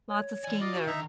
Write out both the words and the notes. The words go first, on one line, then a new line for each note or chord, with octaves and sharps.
lots of skiing there,
C#5
E3 D5 G#5
F4 D5 D#5
E4 F#4 F5
D3 D#3 D#4 E5 A#5